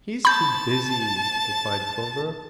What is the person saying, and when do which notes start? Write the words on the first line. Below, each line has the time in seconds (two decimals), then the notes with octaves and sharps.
"He's too busy," replied Clover.
0.25 A5 B5 G6